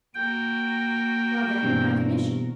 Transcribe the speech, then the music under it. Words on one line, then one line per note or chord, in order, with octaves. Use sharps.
"Well, then,--my commission?"
A#3 F#4 A#4 G5
G2 B2 E3 C4